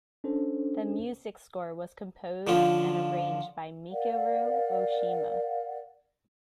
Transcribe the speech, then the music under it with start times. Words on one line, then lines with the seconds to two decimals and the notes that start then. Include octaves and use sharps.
The music score was composed and arranged by Michiru Oshima.
0.24 C#4 D4 A4 C5
2.47 D3 F3 C#4 F4
3.91 A#4 D5 F5 F#5